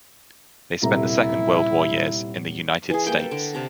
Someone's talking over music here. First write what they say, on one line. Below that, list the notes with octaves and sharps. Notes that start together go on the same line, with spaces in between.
They spent the Second World War years in the United States.
D#1 C3 E4 A#5
E3 G#4
G3 A#3 G5
A4 B4
D3 D5
C3 A4 A#5